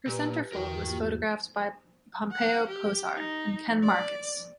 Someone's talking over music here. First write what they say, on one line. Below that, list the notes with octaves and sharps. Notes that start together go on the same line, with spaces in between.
Her centerfold was photographed by Pompeo Posar and Ken Marcus.
A#2 G4 B4
E2 E3 F#4 A#4 G5
G#2
A#3 F4 G4
F#5
G4
D#4
D5